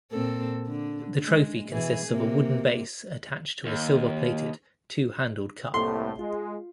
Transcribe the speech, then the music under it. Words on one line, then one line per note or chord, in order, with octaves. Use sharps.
The trophy consists of a wooden base attached to a silver-plated, two-handled cup.
A#2 C4 A4
D3
G#3
B2 E3 G#4
C3 A#3
D#2
C2 A2 A3 A#3 A4 C6
G#3 F4